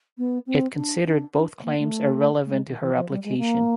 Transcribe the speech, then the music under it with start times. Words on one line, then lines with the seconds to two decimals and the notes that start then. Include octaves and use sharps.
It considered both claims irrelevant to her application.
0.18 B3
0.46 C4
0.76 D4
1.06 D4
1.35 D4
1.63 A#3
1.78 A3
2.46 A3
2.51 G#3
2.66 D#3
2.80 E3
2.95 F3
3.09 G3
3.24 G#3
3.38 A#3